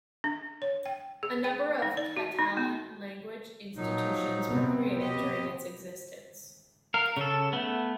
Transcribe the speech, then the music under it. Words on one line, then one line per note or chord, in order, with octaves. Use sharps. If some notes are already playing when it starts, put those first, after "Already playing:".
A number of Catalan-language institutions were created during its existence.
D4
C#5
G5
G#4
G5
D#4
D5
F#4
D#4
B3
A#2 F3 F#3 D#4
C3 B3 C4
G4 D#5
A#4 F5
C#3 A4
A3 B3